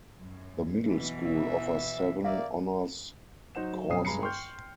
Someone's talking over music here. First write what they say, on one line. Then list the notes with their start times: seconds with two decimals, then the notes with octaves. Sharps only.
The middle school offers seven honors courses.
0.18 F#2
0.86 B2 E3
1.26 E5
2.24 A#3 A#4 D5 E5 F5
3.55 F#3 D#4 C5 F#5 E7
3.73 F#3
3.90 D1 F#2 B2 C#4 D#6 C7
4.05 G2 G#3 A#5 B5 C7 C#7
4.22 G5 C6 C#6 F6 G6